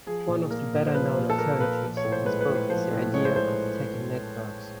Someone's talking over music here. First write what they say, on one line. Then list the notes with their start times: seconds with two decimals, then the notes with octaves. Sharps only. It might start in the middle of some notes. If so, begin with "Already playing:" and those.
One of the better-known alternatives in this book is the idea of attacking networks.
0.06 F3 G#4
0.28 A#2
0.51 A#3 A#4
0.73 A#2
0.87 C5
0.94 F3 B4
1.17 A#2
1.30 A4
1.38 A#3 A#4
1.61 A#2 B4
1.82 F3
1.97 C#5
2.04 A2
2.12 C5
2.26 G#3 B4
2.41 B4
2.48 A2
2.56 C5
2.70 F3 C5
2.92 A2
3.14 G#3 C#5
3.25 C5
3.36 A2 C5